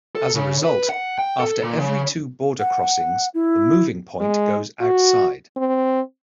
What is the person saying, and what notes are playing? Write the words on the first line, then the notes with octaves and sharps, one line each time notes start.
As a result, after every two "border crossings" the moving point goes outside.
A4
C#3
B4
F#5
G5
A4
A#2
C#3
F#5
E4
G#3
F#4
C4